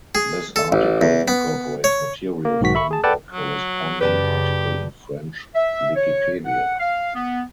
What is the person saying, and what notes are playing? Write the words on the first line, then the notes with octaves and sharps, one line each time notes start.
This article incorporates material from the corresponding article in French wikipedia.
G#4
A4
A1
E2
B3
C#5
A#3
B1 G#2 D#3 F#4 B6
E5 B5 C#6
G#4 A5
A4 B4 D5 F#5 G5 A5
F#3
F#2 C#3 G4 B4 D5 A5
E5
C#5
F#5
F5
B3